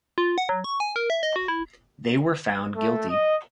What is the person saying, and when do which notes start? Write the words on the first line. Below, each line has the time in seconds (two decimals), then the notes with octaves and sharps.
They were found guilty.
0.18 F4
0.38 F#5
0.49 F#3
0.64 C#6
0.80 G#5
0.96 A#4
1.10 E5
1.23 D#5
1.36 F#4
1.48 E4
2.75 A3
3.08 D#5